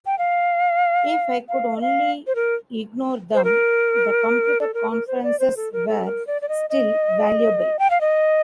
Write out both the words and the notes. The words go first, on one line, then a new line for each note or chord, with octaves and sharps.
If I could only ignore them, the computer conferences were still valuable.
G5
F5
F5
D#5
F5
C5
A#4
C5
A#4
A4
A#4
A#4
C5
D5
C5
A4
A#4
A4
A#4
D5
D5
D#5
D#5
G5
F5
D#5